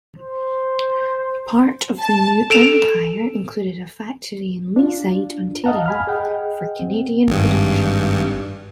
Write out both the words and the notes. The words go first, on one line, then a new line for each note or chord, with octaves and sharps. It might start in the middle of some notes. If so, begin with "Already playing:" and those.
Part of the new empire included a factory in Leaside, Ontario, for Canadian production.
C5
A5
A4 D7 E7 F7
D4 F4
D#5 F5 F#5 A5 A#5
G#5 B5 F6
G#4 D#5 F#5 G5
C4
G#1 G2